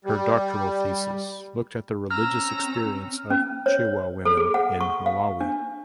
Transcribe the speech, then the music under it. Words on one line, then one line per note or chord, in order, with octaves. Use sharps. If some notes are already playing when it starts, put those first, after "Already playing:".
Her doctoral thesis looked at the religious experience of Chewa women in Malawi.
G3
C4 C#4 A#5 E6 F6
C#4
C#5
A4
G#4
F#5
C#6
F5
D4